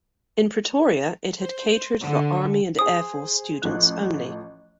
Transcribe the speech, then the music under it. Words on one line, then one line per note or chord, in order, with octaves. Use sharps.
In Pretoria it had catered for army and air force students only.
C5
D3
G#4 C5 D#6
A1 F3 F#6